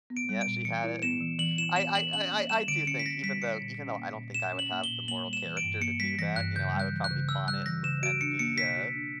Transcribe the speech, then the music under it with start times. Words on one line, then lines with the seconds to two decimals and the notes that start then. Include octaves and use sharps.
Yeah, she had it n I I I I I do think even though even though I don't think I would have the moral character to do that, you know, I would probably pawn it and and be, uh,
0.10 B3
0.17 D7
0.29 G3
0.41 D7
0.47 A#2
0.65 E3 C#7
0.84 E4
1.03 B3 E7
1.20 E3
1.39 E3 F#7
1.58 E4 E7
1.76 B3 E7
1.94 E3 F#7
2.13 C#4 F#7
2.32 A#3
2.49 G3 E7
2.68 D3 D7
2.86 C#4 C#7
2.99 B6
3.05 A#3 A#6
3.23 G3 B6
3.42 D3 C#7
3.61 A#2
3.79 C#4
3.97 A#3
4.16 A#2
4.34 A#2 E7
4.53 C#4
4.59 F#7
4.71 A#3
4.84 G7
4.90 A#2
5.08 A#3 F#7
5.27 G3
5.33 E7
5.44 E3
5.57 D7
5.63 G2
5.81 A#3 C#7
6.00 G3 B6
6.19 E3 A#6
6.36 G2 F#6
6.56 C#3 G6
6.74 G3
6.79 F#6
6.92 E3
7.04 F#6
7.10 C#3
7.29 C#3 E6
7.47 G3 F#6
7.66 E3 A#6
7.84 C#3 E7
8.02 F#4 D7
8.21 D4 C#7
8.39 A#3 C#7
8.58 B2 B6
8.76 F#4
8.95 D4